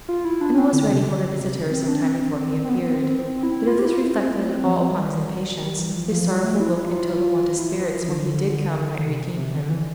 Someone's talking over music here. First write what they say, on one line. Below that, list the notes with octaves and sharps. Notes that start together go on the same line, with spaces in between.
Emma was ready for her visitor some time before he appeared; but if this reflected at all upon his impatience, his sorrowful look and total want of spirits when he did come might redeem him.
F4
E4
D4
C4
D3
C3
D3
C3
D3
C4
D4
C4
C4
B3
C4
C4
E4
F4
G4
E4
F4
E4
C4
A3
C4
F3
G3
G3
E3
F3
F3
G3
A3
E4
F4
E4
F3
F3
D3
C3
C3
D3
E3